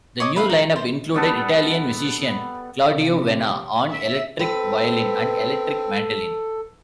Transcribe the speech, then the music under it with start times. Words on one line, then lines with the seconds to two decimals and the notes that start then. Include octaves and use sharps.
The new lineup included Italian musician Claudio Vena on electric violin and electric mandolin.
0.20 C#5 D#5 D6
0.36 B4 E5 F5
0.50 D#4
0.76 C5
1.14 G3 B3 A4
2.92 C3
3.91 E5
4.39 C4 A4 B4